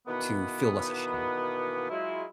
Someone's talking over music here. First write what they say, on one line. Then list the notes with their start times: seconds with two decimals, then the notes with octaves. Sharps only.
to feel less ashamed?
0.08 B2 D#3 E3 A#3 B3
1.90 F#3 G#3 E4 F4